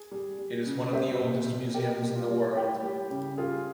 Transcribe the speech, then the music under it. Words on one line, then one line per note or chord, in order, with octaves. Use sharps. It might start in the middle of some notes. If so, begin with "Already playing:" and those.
It is one of oldest museums in the world.
Already playing: G#4
G3
G3
C#3
G3 C5 E5
A#2
A#2
A#2 G4 A#4
G3
F4
G3
G3 E4 G4
G3
C#3
G3 F4 G#4